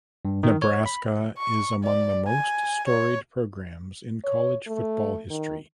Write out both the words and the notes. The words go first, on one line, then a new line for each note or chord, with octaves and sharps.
Nebraska is among the most storied programs in college football history.
G2
D#3
C#5
B5
C#6
D5
G#5
C#5
C#5
A3
D#3